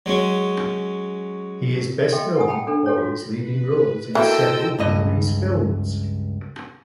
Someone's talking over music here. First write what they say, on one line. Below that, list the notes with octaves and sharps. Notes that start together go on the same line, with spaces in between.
He is best known for his leading roles in several Burmese films.
F#3 G#3 C#4
A4 D#5 E5 G5 C6
F#5 G#5 D#6
G5 A5 B5
D4 A4
G4 A4 C#5
F4 F#4
B4
E3 A#3 E4 F#4 A4 D#5 G5 E6
C#2 G2 D#5